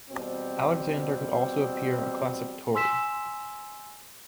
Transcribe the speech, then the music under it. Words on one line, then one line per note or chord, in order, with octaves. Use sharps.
Alexander could also appear a classic Tory.
E2 B2 G3 C4
G#5 C6 E6 B6 E7